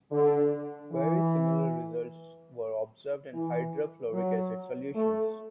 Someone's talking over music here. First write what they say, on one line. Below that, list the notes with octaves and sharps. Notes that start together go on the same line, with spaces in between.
Very similar results were observed in hydrofluoric acid solutions.
D3
E3
E3
F#3
A3